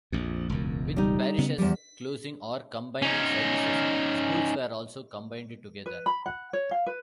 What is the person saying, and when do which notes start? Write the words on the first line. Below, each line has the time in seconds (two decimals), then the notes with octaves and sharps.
With parishes closing or combining services, schools were also combined together.
0.12 A#1 F2
0.49 E1 C#2 F#2
0.96 G3 D#4
1.38 C#3 B3
1.58 E2 F3 G3
3.02 C#4 D#4
5.86 B4
6.06 B5
6.26 F#5
6.53 C#5
6.71 F5
6.86 B4